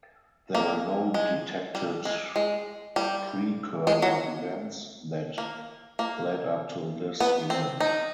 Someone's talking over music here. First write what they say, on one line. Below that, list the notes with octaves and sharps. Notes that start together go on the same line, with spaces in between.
There were no detected precursor events that led up to this event.
A#3
G#3
G3
G#3
G#3
G3
G#3
F#3
A#3
A#3
B3
C4
D#4